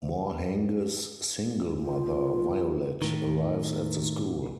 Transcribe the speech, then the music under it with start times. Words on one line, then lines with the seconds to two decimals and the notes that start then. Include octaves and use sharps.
Morhange's single mother, Violette, arrives at the school.
1.80 F4
3.02 A2 D#3